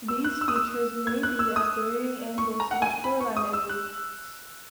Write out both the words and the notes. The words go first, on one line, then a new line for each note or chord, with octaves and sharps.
These features may be at varying angles to the shoreline and wave fronts.
E6
F#6
E6
D#6
E6
G#6
F#6
E6
D#6
C#6
A#5
F#5
G#5
B5
C#6
D#6
E6
F#6